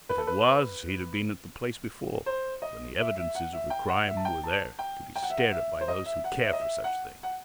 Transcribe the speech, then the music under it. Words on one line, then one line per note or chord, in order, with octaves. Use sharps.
If it was, he'd have been at the place before, when the evidences of the crime were there to be stared at by those who care for such things.
B4
A4
B4
C5
D#5
E5
E5
F#5
E5
G5
F#5
E5
A5
G5
A5
G5
G5
F#5
E5
F#5
E5
C5
D#5
E5
F#5
E5
D#5
E5
F#5
F#5